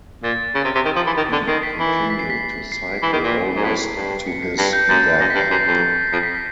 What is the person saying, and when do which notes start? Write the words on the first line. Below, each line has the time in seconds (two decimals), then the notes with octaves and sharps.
He continued to cycle almost to his death.
0.23 A#2 A6
0.55 C#3
0.64 C3
0.75 C3
0.85 D#3
0.96 F3
1.06 E3
1.17 D#3
1.32 D3
1.48 D#3 C7
1.63 B6
1.79 E3
2.10 B6
2.19 C7
2.30 B6
2.72 C7
3.03 E3
3.13 D#3
3.24 A#2
3.56 G#2
3.64 A2 B6
3.80 C7
3.96 G2
4.27 C#7
4.42 C7
4.58 G2 A#6
4.73 G6
4.89 F#2 A6
5.20 F#2 A#6
5.30 B6
5.35 G2
5.41 C7
5.51 F#2 C7
5.67 F2
6.13 F2 C7
6.23 B6
6.35 B6